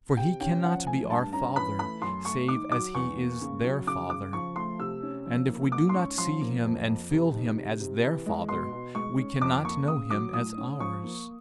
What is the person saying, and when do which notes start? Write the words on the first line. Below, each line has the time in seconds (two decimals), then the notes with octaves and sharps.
For he cannot be our father save as he is their father; and if we do not see him and feel him as their father, we cannot know him as ours.
0.17 C3 G5
0.41 C#4 G5
0.64 F3 F#5
0.86 A3 G#5
1.10 G2 A5
1.33 C#4 A#5
1.56 E3 B5
1.79 A3 B5
2.02 F#2 C6
2.25 A3 C#6
2.48 D#3 D6
2.71 F#3 D6
2.95 E2 C#6
3.17 A#3
3.41 C#3
3.63 F#3
3.87 C#3 D6
4.10 C#3 D6
4.33 F3 C#6
4.56 A3 C6
4.79 C3 E6
5.03 C#4
5.26 F3
5.49 A#3
5.72 G#2 D6
5.89 C6
5.95 C#4 C#6
6.18 F3 C6
6.41 A#3
6.64 F2
6.88 F2
7.11 C3
7.34 D#3
7.57 C3
7.80 C3
8.03 E3
8.26 G#3
8.49 B2 C6
8.72 B2
8.95 G#3 C#6
9.18 C#4
9.41 F2 D6
9.64 A#3 C#6
9.88 C#3 D#6
10.10 F#3 D6
10.33 A2 D#6
10.57 C#4
10.80 F3 C#6
11.04 A#3